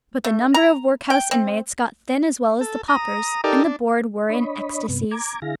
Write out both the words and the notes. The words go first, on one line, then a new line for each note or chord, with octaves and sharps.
But the number of workhouse inmates got thin as well as the paupers; and the board were in ecstasies.
A3
A#5
G5
C4
A4
A#5 D#6
D#4 G4 A4 A#4 D5
D4
D4 C#5 D#5 B5
G2 C3 B3
A#5 D6 G#6
D3 E4 G#4 F5 A#6